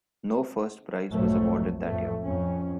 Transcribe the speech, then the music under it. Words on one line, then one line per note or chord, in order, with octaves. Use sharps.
No first prize was awarded that year.
B1 F2 G#2 F#3 A3
F2 A2 A3
F2 C#4